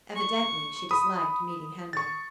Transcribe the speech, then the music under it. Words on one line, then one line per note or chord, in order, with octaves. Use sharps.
Evidently she disliked meeting Henry.
C#6
B5 D#6
C#6 A6